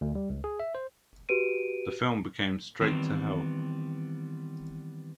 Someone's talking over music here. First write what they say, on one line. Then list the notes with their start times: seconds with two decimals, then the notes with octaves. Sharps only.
The film became "Straight to Hell".
0.01 D2
0.15 G3
0.30 C#2
0.44 G#4
0.59 E5
0.75 C5
1.29 F#4 G4 B4 D7 D#7
2.81 D#3 E3 G3 B3 C4